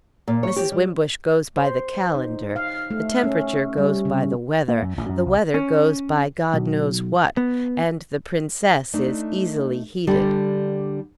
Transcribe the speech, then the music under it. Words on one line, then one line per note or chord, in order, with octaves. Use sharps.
Mrs. Wimbush goes by the calendar, the temperature goes by the weather, the weather goes by God knows what, and the Princess is easily heated.
A#2
C#5
G4
G3
C5
D#4
F5
A3
C#4
G3
C#3
A#3
F#2
A1
F#2
C2
C#4
B1
B3
A3 D4 D#4
D3 G3 D4 G4 A4